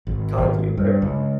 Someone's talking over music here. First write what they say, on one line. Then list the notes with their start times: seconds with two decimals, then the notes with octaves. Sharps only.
kanji, right?
0.07 G#1
0.38 G#1
0.77 G2
1.02 C#2